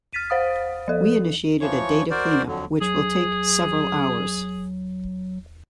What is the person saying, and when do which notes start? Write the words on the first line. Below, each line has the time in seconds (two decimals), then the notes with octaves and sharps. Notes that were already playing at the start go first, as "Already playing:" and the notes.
We initiated a data cleanup which will take several hours.
0.13 F6 A6 B6 D#7
0.30 C5 F5 D#6
0.88 F3 A4
1.61 E3 F3 C#5 C#6
2.11 F#4 A#4 C5 D5
2.47 F2 D3 F#3
2.81 F#3 G#4